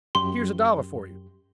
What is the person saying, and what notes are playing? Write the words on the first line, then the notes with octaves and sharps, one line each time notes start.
Here's a dollar for you.
F#2 G4 C6